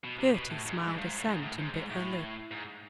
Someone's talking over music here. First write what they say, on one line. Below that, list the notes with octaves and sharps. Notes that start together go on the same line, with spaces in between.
Gerty smiled assent and bit her lip.
B2
C3
B2
A2
G#2
G#2
G2
G#2
A2
G#2
A2
G#2
G#2
A2
G#2